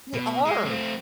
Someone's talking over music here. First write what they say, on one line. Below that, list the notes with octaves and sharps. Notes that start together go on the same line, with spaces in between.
They are.
B2
G#3
A3 C4